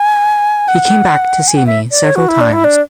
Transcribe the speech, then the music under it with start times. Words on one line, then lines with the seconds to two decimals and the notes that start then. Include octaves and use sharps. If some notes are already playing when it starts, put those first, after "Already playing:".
He came back to see me several times.
Already playing: G#5
0.68 F#5
1.48 G#5
1.57 F#5
1.66 E5
1.91 D5
2.04 C#5
2.15 F#4
2.29 E4
2.41 D4
2.53 E4
2.64 D4